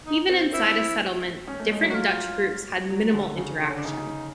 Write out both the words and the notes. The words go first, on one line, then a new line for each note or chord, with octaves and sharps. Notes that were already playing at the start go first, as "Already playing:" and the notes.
Even inside a settlement, different Dutch groups had minimal interaction.
D#4
C4
C4 E4
C#4
A3
G#3
F#3
F#4
F4
F#3
D3
C#3
D3
C#4
D4
C#3 D#4